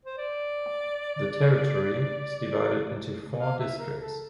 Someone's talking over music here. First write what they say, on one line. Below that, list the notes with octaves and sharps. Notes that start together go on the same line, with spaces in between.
The territory is divided into four districts.
C5
D5
F5
E5
A#4
A4